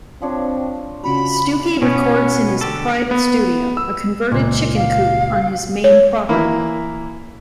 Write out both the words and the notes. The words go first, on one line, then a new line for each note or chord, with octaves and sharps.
Stookey records in his private studio-a converted chicken coop-on his Maine property.
F3 C4 D4 C#5
C#3 C#4 F4 F#4 B5
B2 B3 C#4
D3 G4 A4
B3
E6
C#2 A#2
F5
C#5
E3 A#3 E4